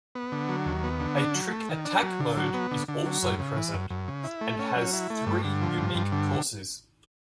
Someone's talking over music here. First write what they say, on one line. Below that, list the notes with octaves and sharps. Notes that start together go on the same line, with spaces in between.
A trick attack mode is also present and has three unique courses.
B3
D3
F#3
D#2
B3
D3
D4
F#3
A3
D#3
D4
F#3
D3
F#3
B3
D3
D3
F#3
F#2
C#3
E3
F#2
F#2
C#3
E4
A3
C#4
F#3
E4
A3
G2
D3
F3
G2
G2
D3